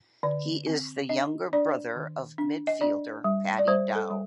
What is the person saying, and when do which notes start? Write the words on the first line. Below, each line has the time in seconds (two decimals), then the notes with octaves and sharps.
He is the younger brother of midfielder Paddy Dow.
0.23 D3 D5
0.67 C4
1.09 D4 D#5
1.53 D4 D5
1.95 D#3
2.38 D4
2.67 D#5
2.81 D4 D5
3.24 G3
3.59 D5
3.67 G3 C5
3.95 A4
4.10 G3